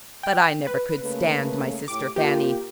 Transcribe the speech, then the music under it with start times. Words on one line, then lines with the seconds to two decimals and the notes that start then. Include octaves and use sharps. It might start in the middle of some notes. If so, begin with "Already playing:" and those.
But I never could stand my sister Fanny.
0.23 G5
0.67 B4
1.01 C#3 A3 A#3
1.88 A2 G4 D6
2.16 A#3 F4 G4